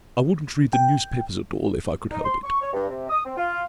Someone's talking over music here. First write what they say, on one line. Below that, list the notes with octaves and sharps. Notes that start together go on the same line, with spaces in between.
I wouldn't read the newspapers at all if I could help it.
G5
D#4
C6
C#6
C#5
G2
C3
D#6
C4
F4